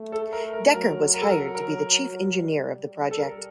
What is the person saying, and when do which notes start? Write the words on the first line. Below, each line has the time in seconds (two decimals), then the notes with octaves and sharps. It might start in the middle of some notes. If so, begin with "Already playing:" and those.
Decker was hired to be the chief engineer of the project.
Already playing: A3
0.12 A4
0.33 A#4
0.53 A#4
0.73 F#3 A#4
1.14 A#4
1.21 A4
1.30 A#4
1.55 A#4
2.37 G3
3.11 A4
3.18 A#4